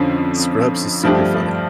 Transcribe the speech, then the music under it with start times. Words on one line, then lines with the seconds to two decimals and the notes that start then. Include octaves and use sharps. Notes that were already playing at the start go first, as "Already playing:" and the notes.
Scrubs is super funny,
Already playing: F2 D3 F3 C#4
1.03 G2 F3 A3 D4 G4